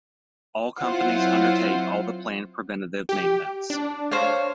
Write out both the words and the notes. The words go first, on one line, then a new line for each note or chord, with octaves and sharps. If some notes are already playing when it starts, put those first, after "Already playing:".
All companies undertake all the planned preventative maintenance.
F#3 C4 E4 F4 C5 F#5
G4
D4
C5 C#5 F5